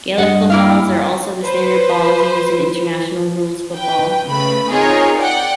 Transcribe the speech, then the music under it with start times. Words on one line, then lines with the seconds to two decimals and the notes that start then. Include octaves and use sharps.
Gaelic footballs are also the standard balls used in international rules football.
0.18 G2 D#5 F#5
0.50 A#3 E4 F5
1.42 B4 C5
3.74 B4 G5
4.26 C#3 A3 B4 B5
4.68 C4 D#4 F4 G#4 A#4 C#5
5.20 D5 F#5 G5